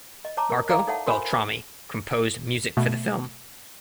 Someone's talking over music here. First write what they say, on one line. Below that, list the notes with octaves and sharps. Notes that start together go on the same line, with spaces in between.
Marco Beltrami composed music for the film.
D#5
C#5 A5 A#5 D6
A#4
E4 A4 D5 F5 A#5 D6
D#4 A4 C#5 E5 F#5 A5
F#4 A#4 C5 C#5 G#5 B5
B2 A3